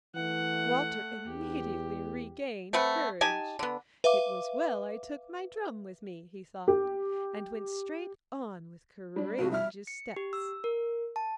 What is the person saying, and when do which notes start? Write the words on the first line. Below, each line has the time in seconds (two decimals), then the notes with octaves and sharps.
Walter immediately regained courage. 'It was well I took my drum with me,' he thought, and went straight on with courageous steps.
0.15 E3 A3 F#5
1.27 E2 G4
2.73 A3 C4 B4 F#5
3.21 D#4 G4 G#5 A5
3.59 D3 B3
4.04 B4 E5 F5 D6
6.68 G4
9.16 G3 D4
9.38 B1 F2 C3 F#4
9.51 G3 E5 F6
9.87 C#7
10.16 G4
10.33 E6
10.64 A#4
11.16 A5